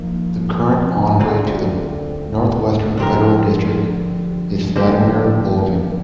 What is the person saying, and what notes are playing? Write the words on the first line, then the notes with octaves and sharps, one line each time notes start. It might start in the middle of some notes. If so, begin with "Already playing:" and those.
The current Envoy to the Northwestern Federal District is Vladimir Bulavin.
Already playing: F3 A#3 D#4
D2 D3 A3 C4 F4
D3 F3 C4 G4 A#4
D3 F3 A#3 D4 G4